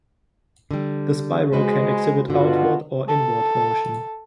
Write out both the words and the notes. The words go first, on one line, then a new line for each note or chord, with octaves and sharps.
The spiral can exhibit outward or inward motion.
D3 G3
G#3 F#4 B4 C5
G2 B2 D3 F4 F#4
A4